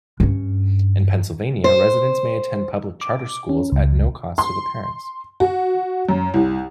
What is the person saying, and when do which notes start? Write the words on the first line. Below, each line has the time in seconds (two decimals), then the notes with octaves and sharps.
In Pennsylvania residents may attend public charter schools at no cost to the parents.
0.20 G2 C#4
1.64 C5
3.01 D6
3.49 C#4
3.72 C#2
4.38 C6
5.40 F#4
6.09 F#2
6.34 C2